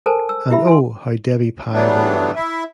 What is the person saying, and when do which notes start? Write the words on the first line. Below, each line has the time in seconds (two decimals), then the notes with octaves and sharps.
And oh, how Debbie Pye will laugh!
0.06 A4 A#4 C5 G#5 A5
0.29 E6
0.50 E4 G4 E5 B5
0.67 G#5 C6
1.73 E3 F#3 G3 A3 B3 D4
2.36 E4 E5